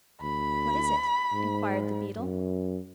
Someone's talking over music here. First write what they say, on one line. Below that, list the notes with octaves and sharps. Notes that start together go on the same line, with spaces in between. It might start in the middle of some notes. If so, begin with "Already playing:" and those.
'What is it?' inquired the beadle.
D2 B5
G#2
F#2